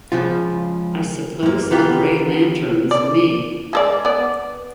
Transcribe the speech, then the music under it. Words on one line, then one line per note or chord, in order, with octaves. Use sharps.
I suppose the Grey Lantern's me.
C#2 C#3 F3 F4
F#2 A#3
D#3 E3 B3 F4 G4
D5
G#3 A4 D5
B3 D5